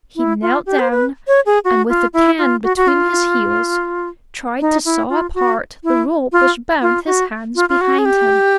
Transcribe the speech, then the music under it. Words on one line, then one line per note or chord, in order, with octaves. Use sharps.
He knelt down, and with the can between his heels, tried to saw apart the rope which bound his hands behind him.
E4
F4
G4
C5
B4
C#5
G#4
F#4
F4
E4
F4
F#4
F#4
F4
D#4
E4
F4
F#4
E4
F4
F4
F#4
F4
F4
F#4
G#4
G4